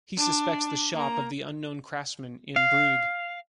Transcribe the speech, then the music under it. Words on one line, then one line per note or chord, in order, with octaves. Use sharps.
He suspects the shop of the unknown craftsmen in Brügge.
D4
A#3 A#5
F5